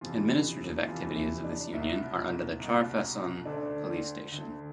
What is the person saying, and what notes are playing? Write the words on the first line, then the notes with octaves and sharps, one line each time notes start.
Administrative activities of this union are under Char Fasson police Station.
F2 C3 E3 F4
F2 C3 E3 F4
E4
D4
C2 B2 E4
C2 B2
D2 D3 D4
D2 D3